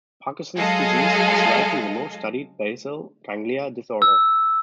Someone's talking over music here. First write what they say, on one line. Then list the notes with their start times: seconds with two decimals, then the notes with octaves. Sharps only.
Parkinson's Disease is likely the most studied basal ganglia disorder.
0.57 F#3 G#3 G#4 A4 D#5 F5
4.02 E6